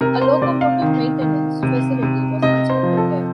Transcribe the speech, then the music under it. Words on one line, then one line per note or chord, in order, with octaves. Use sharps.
A locomotive maintenance facility was constructed there.
C3 A#4
C5
C3 D5
F5
D#3
D#3
C3
C3
C3 D#5
C5
F3
A4